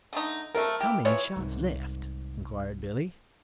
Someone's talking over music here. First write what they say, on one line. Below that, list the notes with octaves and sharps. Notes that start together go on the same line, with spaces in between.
"How many shots left?" inquired Billy.
D3 A3 D#4
F3 A3 A#4
E4 G4
E3 F3 C#5
C2 G#2